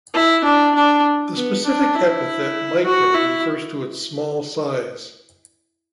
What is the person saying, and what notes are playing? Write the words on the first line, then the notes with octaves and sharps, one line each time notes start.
The specific epithet "micra" refers to its small size.
E4
D4
D4
B3
D4
E4
F#4
E4